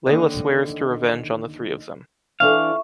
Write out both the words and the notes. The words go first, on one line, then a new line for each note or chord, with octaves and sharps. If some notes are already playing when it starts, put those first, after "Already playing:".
Leila swears to revenge on the three of them.
D#2 D3 D#5
E3 D4 A4 E5 F5 C#6